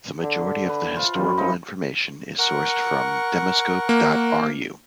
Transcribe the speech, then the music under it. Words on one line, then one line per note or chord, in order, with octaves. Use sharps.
The majority of the historical information is sourced from "Demoscope dot ru".
D3
B4
F3 F4
F#2 G3
F3 D#4 E4 B4
A#4 F#5 C#6
A#3